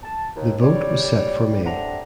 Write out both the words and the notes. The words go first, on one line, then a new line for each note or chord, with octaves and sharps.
The vote was set for May.
A5
D#2
G3 C#5 D5
A2 C3 D4 G4 F#5 A#5